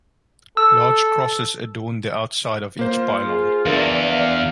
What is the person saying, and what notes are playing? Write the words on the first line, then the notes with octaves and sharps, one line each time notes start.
Large crosses adorn the outside of each pylon.
A4 E6
A#3 F4 C5
G#4
E2 D4 A#4 F5
D5 F5